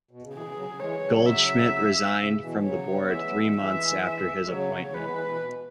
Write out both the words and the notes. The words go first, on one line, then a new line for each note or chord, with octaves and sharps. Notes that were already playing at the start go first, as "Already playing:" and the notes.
Goldschmidt resigned from the board three months after his appointment.
B2
C#3
B2 E3 G#4
C#3
C#3 F#3
C#3
E3 G#3 C#5
C#3 F#3
E5
C#3
B2 E3
C#3 F#3 C#5
B3
E3 G#3 E5
F#3 B3
E3 G#3
E3 G#3 E5
E5
G#3
C#3 F#3 C#5
E3 G#3 B4
B3
E3 G#3
B2 E3
B2